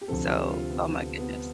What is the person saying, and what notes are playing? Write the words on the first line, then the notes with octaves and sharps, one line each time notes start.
So Oh my goodness.
G4
D2 C3 F3 C4 A4
G4
F4
B3
B3